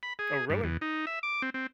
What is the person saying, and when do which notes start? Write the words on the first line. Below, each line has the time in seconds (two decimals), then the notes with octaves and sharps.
Oh, really?
0.03 B5
0.19 G#4
0.50 G2
0.63 E2
0.81 D#4
1.07 E5
1.23 D6
1.42 C4
1.54 C4